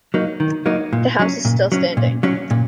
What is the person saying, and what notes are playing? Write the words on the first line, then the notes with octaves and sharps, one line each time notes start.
The house is still standing.
F#3 A#3 D#4
D#3
F#3 A#3 D#4
A#2
F#3 C#4
A#2
F#3 C#4
A#2
F#3 C#4
A#2